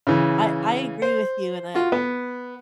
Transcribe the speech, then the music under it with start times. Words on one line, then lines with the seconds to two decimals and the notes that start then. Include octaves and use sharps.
I I agree with you, and I
0.07 C#3 E3
1.02 C5
1.75 F4 F#4
1.92 B3